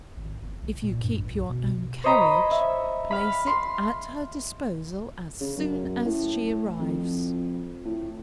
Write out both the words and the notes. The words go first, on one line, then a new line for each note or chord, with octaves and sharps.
If you keep your own carriage, place it at her disposal as soon as she arrives.
G#1
G1
B1
A#2
G2
A1
B1
B2
C5 C#5 D#5 A#5 B5
E5
F5 B5
C6
C#3
F#2
A2
F2
A2